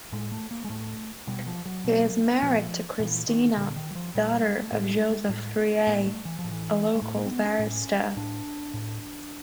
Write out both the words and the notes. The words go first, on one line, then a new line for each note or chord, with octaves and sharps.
He is married to Cristina, daughter of Joseph Triay, a local barrister.
A2 G#3
A3
A#3
G#3
A2 A3
B2 G3
F3
F#3
B2
A#2 F3
A#2 E3
D#3
A#2 D3
D#3
F#3
F3
A#2 G3
A3
A2 G#3
A2
A2 A#3
A3
E3
F3
A2
E3
G#3
A2 A3
A#3
C4
B3
C#4
A2
A2 D4
A2